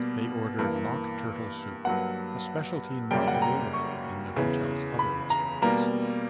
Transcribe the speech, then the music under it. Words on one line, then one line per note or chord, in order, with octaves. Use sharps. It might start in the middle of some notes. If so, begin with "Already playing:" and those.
They ordered mock turtle soup, a specialty not available in the hotel's other restaurants.
Already playing: B2 G3 A#3
G2 E3 A#3
G2 F#3 A#3 F#5
F#2 C#3 G3 A#3 G5
F#5
G5
A#5
C#6
E2 C#3 E3
B5
A#5
B2 G3 A#3 A#5